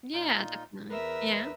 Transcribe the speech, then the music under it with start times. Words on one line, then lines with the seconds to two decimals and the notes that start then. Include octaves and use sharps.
Yeah, definitely. Yeah.
0.13 A#2 D#4 F4
0.90 E2 A#4 B4 E5